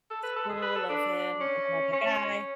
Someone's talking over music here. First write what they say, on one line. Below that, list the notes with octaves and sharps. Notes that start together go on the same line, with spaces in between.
school of him and another guy.
A4
B4
A4
G#4
B4
A4
D4
C#4
C#4